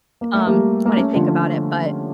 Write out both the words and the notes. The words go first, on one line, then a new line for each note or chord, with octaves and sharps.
funny, um, when I think about it. But,
A#3
A3
G3 A#3
A#3
A3 C#4
D3 F3